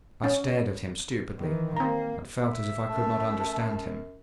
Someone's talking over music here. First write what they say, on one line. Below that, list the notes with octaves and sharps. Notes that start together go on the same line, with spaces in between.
I stared at, him stupidly, and felt as if I could not understand him.
C#4
D#3 E3
A#3 C4 A#5
E5
F#2 A3 A5